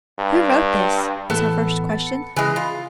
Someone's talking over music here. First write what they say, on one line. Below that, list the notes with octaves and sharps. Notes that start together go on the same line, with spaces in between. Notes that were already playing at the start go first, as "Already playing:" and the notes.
"Who wrote this?" was her first question.
G2
A2 E3 B3 A4 A5
A6
C#7
C#3 E3 G#3
F4 B5